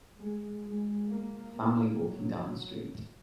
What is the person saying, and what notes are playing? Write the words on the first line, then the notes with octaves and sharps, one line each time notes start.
A family walking down the street.
G#3
G#3
A#3
A#3
F#3